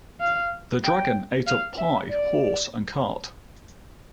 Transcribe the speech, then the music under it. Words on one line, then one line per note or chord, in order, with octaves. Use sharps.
The dragon ate up pie, horse and cart.
F5
G5
F5
E5
D5